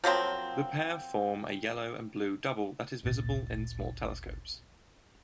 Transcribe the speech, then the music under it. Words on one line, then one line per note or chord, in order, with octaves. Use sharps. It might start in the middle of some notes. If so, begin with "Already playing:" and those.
The pair form a yellow and blue double that is visible in small telescopes.
F3 F#3 A#3 C4
G#1 D2 A#2 A6